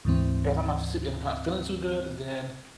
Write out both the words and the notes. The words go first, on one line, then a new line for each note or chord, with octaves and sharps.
if I'm not s if I'm not feeling too good, then,
D2 G#2 E3 C4